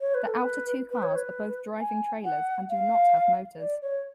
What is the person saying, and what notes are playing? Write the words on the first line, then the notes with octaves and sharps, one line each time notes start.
The outer two cars are both driving trailers and do not have motors.
C#5
B4
A4
B4
B4
C#5
B4
G#5
F#5
F5
D5
C#5